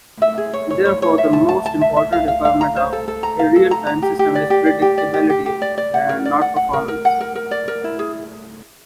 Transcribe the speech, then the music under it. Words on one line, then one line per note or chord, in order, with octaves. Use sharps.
Therefore, the most important requirement of a real-time system is predictability and not performance.
E5
G#4
C#5
C#5
C#5
C#5
E5
A5
A5
A5
E5
E5
F5
F5
F5
A#5
C5
A4
A4
A#5
F5
A4
A#5
A#5
G4
G4
D5
G4
D5
G4
D5
G4
G4
G4
D5
D5
F#5
A#4
D5
F#5
F#5
A#4
A#4
F#5
A#4
A#4
D5
A#4
E4
G#4